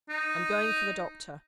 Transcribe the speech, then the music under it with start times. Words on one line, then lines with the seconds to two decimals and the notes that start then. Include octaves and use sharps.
I am going for the doctor.'
0.09 D#4